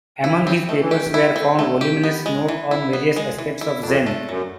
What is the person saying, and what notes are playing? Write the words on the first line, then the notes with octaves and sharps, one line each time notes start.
Among his papers were found voluminous notes on various aspects of Zen.
C3 E4
C#3 C4
D#3 A3
E3
D#3 G4
D3 E4
D3 C4
C#3 A3
G4
B3
G#3
E3
E4
B3
G#3
E3
E4
F2 D4
A3
F#2 F#3